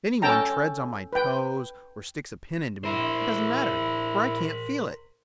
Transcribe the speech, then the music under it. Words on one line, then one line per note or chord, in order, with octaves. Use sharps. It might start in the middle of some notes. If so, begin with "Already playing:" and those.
If anyone treads on my toes or sticks a pin into me, it doesn't matter, for I can't feel it.
C#4 A4 G5 A5 A#5
B4 G5
E4 A#4 C5